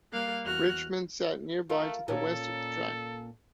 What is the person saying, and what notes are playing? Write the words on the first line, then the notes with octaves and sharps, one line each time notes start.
Richmond sat nearby to the west of the tract.
G3 A#3 F5 F#6
E2 F#4 F6 F#6
A3 F4 A#4
A#2 C#4 A4